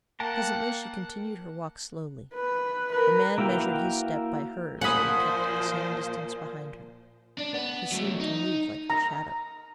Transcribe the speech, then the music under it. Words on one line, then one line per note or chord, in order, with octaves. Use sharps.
Presently she continued her walk slowly; the man measured his step by hers, and kept at the same distance behind her; he seemed to move like her shadow.
A#3 F#5 G5 A5 A#5
B4
A#4 B4
A#3 E4 F#4 F5 G5
A#2 F3 C5 F#5 G#5 B5 D#6
D4
B3
F#3 A3
D#4
A#5